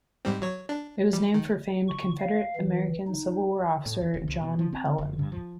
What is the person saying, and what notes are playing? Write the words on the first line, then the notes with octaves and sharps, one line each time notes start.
It was named for famed Confederate American Civil War officer John Pelham.
G#2 G3 C4
F#3 C#5
D4
G3
D#3
C#6
F5
E3
D#4
A2
E2
E1
C2
B2
F3
C4
F1
G2
F3